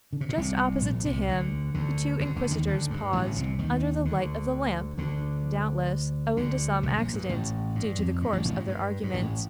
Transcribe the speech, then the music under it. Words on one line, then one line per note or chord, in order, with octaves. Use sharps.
Just opposite to him the two inquisitors paused under the light of the lamp--doubtless owing to some accident due to the course of their argument.
D3
C3
A#2
C2 C3
A#1 A#2
C2 C3
D2 D3
D2 D3
D2 D3
D2 D3
D#2 D#3
D2 D3
G2
A1 A2
D3
C2 C3
D#2 D#3
D2 D3
D2 D3
D2 D3
C2 C3
A#1 A#2
G2
A1 A2
G2
F2
G2
A1 A2
A1 A2
G2
G2
G2
A1 A2